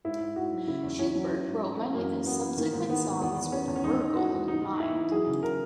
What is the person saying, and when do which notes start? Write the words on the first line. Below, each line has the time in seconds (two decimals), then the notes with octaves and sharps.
Schubert wrote many of his subsequent songs with Vogl in mind.
0.04 G#2 E4
0.20 G#2
0.36 G#2 F#4
0.52 F#3
0.67 C#3 E4
0.83 E2
0.99 E2 C#4
1.15 F#3
1.31 E3
1.47 G#2
1.63 G#2
1.79 E3
1.94 F#2 A#3
2.10 E3
2.26 F#2 B3
2.42 E3
2.57 D#3 A#3
2.73 G#2
2.89 D#3 B3
3.05 G#2
3.20 E2 B3
3.37 D#3
3.52 E2 C#4
3.68 E2
3.76 C#4
3.84 G#2 D#4
4.01 E3
4.16 E3 F#4
4.32 G#2
4.48 E3 D#4
4.64 E3
4.80 E3 E4
4.95 E3
5.11 F#3 G#4
5.27 C#3
5.42 C#3 A#4